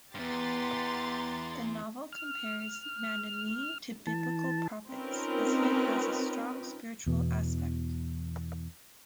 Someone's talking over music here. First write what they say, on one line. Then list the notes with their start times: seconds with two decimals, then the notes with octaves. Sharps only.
The novel compares Vanamee to biblical prophets, as he has a strong spiritual aspect.
0.15 E2 G2 B3 G4 A#5 C6 A6
2.12 F6
4.07 E3 A5
4.91 C4 C#4 D#4 F4 A#4 B4
7.06 E2 B2 E3